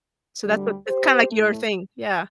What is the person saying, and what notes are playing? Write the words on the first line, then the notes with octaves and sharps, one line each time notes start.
So, that's what it's kinda, like, your thing, yeah.
D2 D3 G3
G4 C5
A2 A3